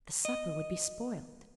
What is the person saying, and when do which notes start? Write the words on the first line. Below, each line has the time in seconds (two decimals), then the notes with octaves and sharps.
The supper would be spoilt.
0.25 D#5